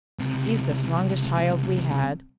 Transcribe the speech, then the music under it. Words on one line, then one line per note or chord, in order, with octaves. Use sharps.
He's the strongest child we had.
C#2 C3